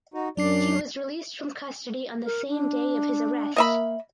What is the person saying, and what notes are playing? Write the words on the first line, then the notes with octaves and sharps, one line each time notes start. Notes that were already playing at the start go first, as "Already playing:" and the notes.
He was released from custody on the same day of his arrest.
D#4 F#4
F#2 F#3 D4 D5 C7
A#4
D4
A#3 D#5 E5 B5